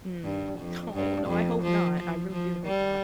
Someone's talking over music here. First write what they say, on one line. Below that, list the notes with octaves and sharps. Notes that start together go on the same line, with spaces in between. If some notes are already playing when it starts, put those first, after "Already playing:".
Mm. Aw, no. I hope not. I really do hope not
G2
F2
G2
F2
F3
F3
F3
G3